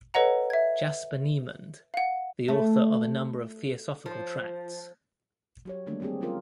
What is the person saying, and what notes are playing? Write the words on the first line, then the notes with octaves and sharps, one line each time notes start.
"Jasper Niemand", the author of a number of Theosophical tracts.
A4 B4 C#5 D#5 F#5 A#5
E5 G#6
F5 F#5
A3
F3
F#3 G4 C#5
D3 D#3 G3 A3 A#3 D4
G3 A3 C4 G4 G#4
F#3 A3 C#4 F4 A#4